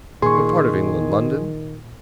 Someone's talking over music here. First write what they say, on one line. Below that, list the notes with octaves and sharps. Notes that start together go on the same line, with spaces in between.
"What part of England--London?"
A#2 D#3 G#4 C6 C#6